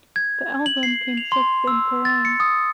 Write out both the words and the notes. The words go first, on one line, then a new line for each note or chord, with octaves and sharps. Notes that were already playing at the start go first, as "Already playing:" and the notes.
The album came sixth in Kerrang!
G#6
F#7
C7
F7
C6
E6
A6
C#7
D#6